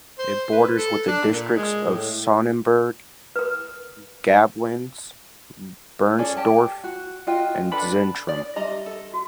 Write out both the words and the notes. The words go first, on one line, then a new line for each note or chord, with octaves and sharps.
It borders with the districts of Sonnenberg, Gablenz, Bernsdorf, and Zentrum.
C5
B4
A4
D4
A#2
G#3
A2
A#4 B4
C#4 G#4 A4 D5
G4 A5
F#4
F4 F#4 D#5 G5
D4 A4 B4 B5
D5 D#6
G3 G4 D#5 E5 A#5
A4
F#4